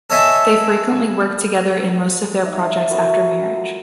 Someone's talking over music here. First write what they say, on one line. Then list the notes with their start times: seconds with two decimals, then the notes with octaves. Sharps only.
They frequently work together in most of their projects after marriage.
0.10 A4 C#5 D#5 E5 G#5 A5
2.43 D#4 D5 E5 F5
2.90 E4 F#4 A4 A#4
3.55 F4